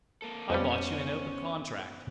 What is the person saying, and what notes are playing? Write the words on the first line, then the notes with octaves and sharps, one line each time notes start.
I bought you in open contract.'
A#3 A4
F2 G3 B3 C#4 C5 G5